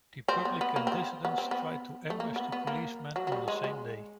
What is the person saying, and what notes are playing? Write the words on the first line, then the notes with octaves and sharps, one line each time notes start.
Republican dissidents tried to ambush policemen on the same day.
C4
B3
B3
A#3
C4
B3
B3
C4
B3
A3
A#3
B3
B3
A#3
F#3
F#3
G3
G#3
G#3